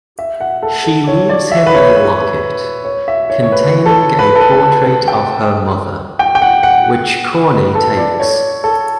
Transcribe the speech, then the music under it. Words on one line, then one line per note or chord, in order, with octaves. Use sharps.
She leaves him a locket, containing a portrait of her mother, which Corney takes.
E5
F#5
A4
A4
C#5
D5
E5
B4
C#5
B4
C#5
E5
C#5
C#5
B4
A4
B4
A4
B4
A5
A5
G5
G5
G5
F#5
F#5
B4
A4
D5
C#5
A4